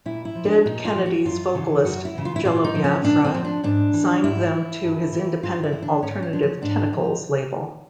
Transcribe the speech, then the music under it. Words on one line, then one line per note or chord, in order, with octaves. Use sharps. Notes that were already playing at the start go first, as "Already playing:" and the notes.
Dead Kennedys vocalist Jello Biafra signed them to his independent Alternative Tentacles label.
A#2 E4
E4
F3
D4
A#2 D#4
F4
F3
F#4
F#2 F4
C#3 E3
F#2 F#4
E4
C#3 E3
F4
E4
A#2 F4
D#4
F3
C#4
A#2 D4
C4
F3
D4
G#2 D4
E3
G#2 E4
E3
G2
E3
G2 F4
E4
E3
D4
G#2 C#4
C#4
F3 D4
C#4
G#2 D4
F3 D#4